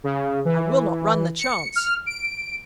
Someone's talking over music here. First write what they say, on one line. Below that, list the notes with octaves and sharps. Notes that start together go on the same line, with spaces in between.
'I will not run the chance.
C#3
E3
C#7
F6
D7